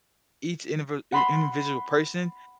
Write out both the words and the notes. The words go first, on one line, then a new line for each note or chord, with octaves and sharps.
each indivd in individual person,
F#5 B5 C6